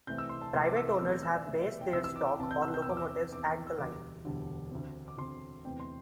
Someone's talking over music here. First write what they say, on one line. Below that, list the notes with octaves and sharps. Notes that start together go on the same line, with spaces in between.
Private owners have based their stock or locomotives at the line.
C2 C3 E3 A3 C4 G6
E6
C6
A5
C2 C3 E3 A3 C4 C6
D6
E6
D6
E1 E2 C3 A3 C4 E6
G6
E6
D5
E1 E2 C3 A3 C4 E5
D5
E5
G5
C2 C3 E3 E6
E6
D6
G5
C2 C3 E3 A5
G6
E6
G6
E6
E2 E3 C4 D6
E6
E2 E3 C4 D6
E6
E1 D2 D3 G3 D6
E1 D2 D3 G3
D2 D3 C4
D6
D2 D3 C4 C6
E2 C3 A3 C4 G5
C6